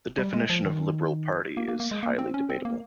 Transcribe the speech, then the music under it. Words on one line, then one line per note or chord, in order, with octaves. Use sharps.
The definition of liberal party is highly debatable.
G3
G#3
F3
D#3
A#3
A#3
A#3
G#3
A#3
C4
C#4
C4
A#3